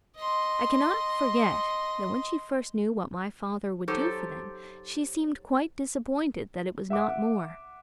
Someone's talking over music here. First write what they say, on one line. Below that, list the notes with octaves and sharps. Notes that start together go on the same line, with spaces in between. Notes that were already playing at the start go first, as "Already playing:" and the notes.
I cannot forget that, when she first knew what my father would do for them, she seemed quite disappointed that it was not more.
D#5 C6
F#3 D#4 G4 A4 C5
E5 F#5 D6